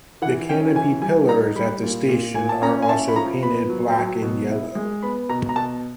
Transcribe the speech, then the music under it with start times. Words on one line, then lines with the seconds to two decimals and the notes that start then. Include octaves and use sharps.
The canopy pillars at the station are also painted black and yellow.
0.22 E3 F#5
0.49 C#4 G5
0.75 E3 G#5
1.02 G3 G#5
1.29 D#4 A#5
1.56 G3 B5
1.83 A#2
2.09 A#2
2.35 A#2 G#5
2.49 A5
2.62 C#4 A#5
2.82 G#5
2.89 E4 A5
3.08 B5
3.16 F3 A#5
3.43 B3 B5
3.69 F#3
3.96 F#3
4.22 B2
4.50 E4
4.75 G#3
5.03 B3 B5
5.29 B2 A#5
5.49 A#5
5.56 B2 A5